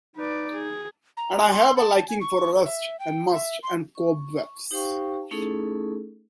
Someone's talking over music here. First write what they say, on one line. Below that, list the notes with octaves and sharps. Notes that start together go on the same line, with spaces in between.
And I have a liking for rust and must and cobwebs.
D#4 B4 D5
G#4
A#5
C6
A5
G#5
C#6
E5
G5
E5
C6
C#6
D#4 G4 C5 F5 G5 C#6
A3 C#4 D#4 E4 G#4 A4